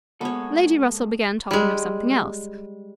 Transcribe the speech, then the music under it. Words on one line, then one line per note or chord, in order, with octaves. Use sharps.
Lady Russell began talking of something else.
G#3 A#3 B3 A4 C#5
G3 G#3